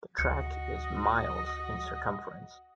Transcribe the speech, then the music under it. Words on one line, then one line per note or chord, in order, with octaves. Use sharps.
The track is miles in circumference.
D2 F#4 D#5 C#7